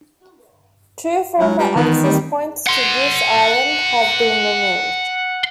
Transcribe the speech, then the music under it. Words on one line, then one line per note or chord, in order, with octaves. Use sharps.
Two former access points to Goose Island have been removed.
F#3 G#3 D4 F4
G3 F4 B4
D#3 E3 B3 A#4 A5
G3 A3 C4 G4
F#5 C6